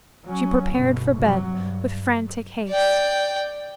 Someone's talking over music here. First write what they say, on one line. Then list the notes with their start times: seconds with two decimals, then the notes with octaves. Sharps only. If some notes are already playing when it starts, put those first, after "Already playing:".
She prepared for bed with frantic haste.
0.25 F#3 C#4
0.74 G1 B2
1.17 C3 F#3
1.52 G2
2.69 D5 G5